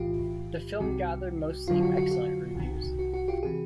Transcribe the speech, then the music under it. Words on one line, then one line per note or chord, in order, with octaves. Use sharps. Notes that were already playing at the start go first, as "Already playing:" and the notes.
The film gathered mostly excellent reviews.
Already playing: B1 A2 E3 F4 G4
C2 C3 D#3 G3 F#4
F2 D3 F#3 F4
F#4
F#4
F#4
C2 C3 D#3
F#4
F#4
F4 G4
C3 E3 F#4 G#4